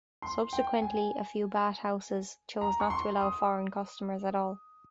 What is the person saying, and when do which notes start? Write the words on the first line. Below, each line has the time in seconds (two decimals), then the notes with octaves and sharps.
Subsequently, a few bath houses chose not to allow foreign customers at all.
0.22 C6
0.53 G5
0.82 G#5
2.61 A#5
2.80 C#6
2.90 C6
3.21 D#6